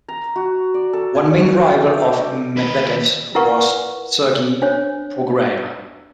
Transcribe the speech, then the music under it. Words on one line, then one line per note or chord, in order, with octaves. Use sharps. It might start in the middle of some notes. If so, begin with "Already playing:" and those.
One main rival of Medvedev's was Sergi Bruguera.
A#5
F#4
D5
A4
G#5
F#4
G5
G5
A3
D4
D#2 B4
E4 A#4 B4 F#5 C#6
D4 C5 C#5